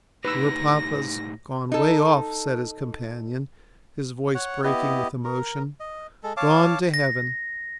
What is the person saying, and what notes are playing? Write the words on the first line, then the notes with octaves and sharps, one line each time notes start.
"Your papa's gone 'way off"--said his companion, his voice breaking with emotion--"gone to heaven."
A2 D#4 G4 B4 E6 A#6
D#4 A4
C#5 F#5
B3 E4 G4 D#5
A#4
D#5
G#3 A4
C#5 F5 A5 D6
A#6